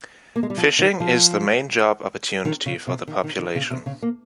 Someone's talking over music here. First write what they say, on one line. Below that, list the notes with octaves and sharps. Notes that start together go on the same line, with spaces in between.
Fishing is the main job opportunity for the population.
A#3
G#3
G3
F3
D#3
F3
D#3
C#3
C3
D#3
D#3
D#3
C#3
C3
C#3
A#3